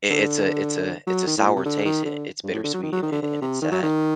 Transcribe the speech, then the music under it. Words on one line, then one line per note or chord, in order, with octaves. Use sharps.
i it's a it's a it's a sour taste. I it's bittersweet, and and and it's sad.
D3
F#3
D#3
A2
A#2
C3
D3
D#3
D3
G2
A2
D3
F#3
D#3
F#3
D#3
D3
D3
C3
D#3
F#3
D#3